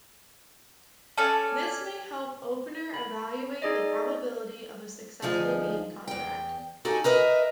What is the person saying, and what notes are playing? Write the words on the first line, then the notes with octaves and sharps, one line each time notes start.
This may help opener evaluate the probability of a successful game contract.
C#4 A4 D5 A5
G#6
B5
D#4 G#4 D5 D#5
D2 F3 D#4 G#4
E2 G5
D#4 F#4 G4 A4 G#5
A#4 B4 D#5 E5